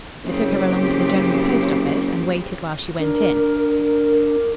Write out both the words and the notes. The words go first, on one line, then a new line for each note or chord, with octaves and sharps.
I took her along to the General Post Office, and waited while she went in.
F#1 C#3 C4 G4
D4 A#4